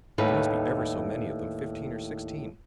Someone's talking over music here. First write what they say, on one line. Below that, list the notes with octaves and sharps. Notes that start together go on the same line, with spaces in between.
There must be ever so many of them, fifteen or sixteen.
D#2 A2 G3 D#4 B4